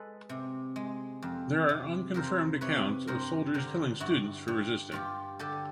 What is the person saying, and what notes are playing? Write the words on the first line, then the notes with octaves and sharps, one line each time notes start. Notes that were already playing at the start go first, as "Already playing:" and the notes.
There are unconfirmed accounts of soldiers killing students for resisting.
Already playing: G#3 A4 B4
C3
G#3
F2
C3
F2 A#4 C5
C3 B4 C#5
G2 A#4 C5
D3 A#4 C5
G2 E4 F#4
G2
G2 F4 G4
D3 G4 A4